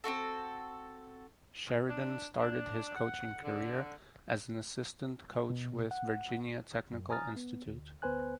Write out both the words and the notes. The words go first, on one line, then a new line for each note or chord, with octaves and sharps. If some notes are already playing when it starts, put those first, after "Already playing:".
Sheridan started his coaching career as an assistant coach with Virginia Technical Institute.
C4 D4 F#4 A4
D4
D4
F#5
D3
B2
F#5
F#2
G#5 A#5 D#6 F6 A6
B3
D2
D2 B3 B4 C5 G#5 F#6